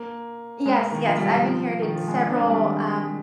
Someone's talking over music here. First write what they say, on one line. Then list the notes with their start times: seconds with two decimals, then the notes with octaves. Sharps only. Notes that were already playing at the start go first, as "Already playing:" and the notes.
Yes, yes, I've inherited several, um,
Already playing: A#3
0.66 G#3
0.79 A#3
0.92 D#3
1.05 F3
1.18 G3
1.30 F3
1.44 F3
1.82 D#3
1.95 F3
2.08 G#3
2.26 D4
2.31 C4
2.40 G#3
2.50 G3
2.59 D#3